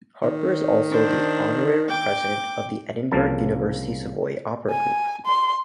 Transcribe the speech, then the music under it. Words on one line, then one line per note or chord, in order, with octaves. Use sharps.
Harper is also the Honorary President of the Edinburgh University Savoy Opera Group.
D#3
D4 C5
G5 D6
C2 C#3 F3 A#3 A5
G#5
C6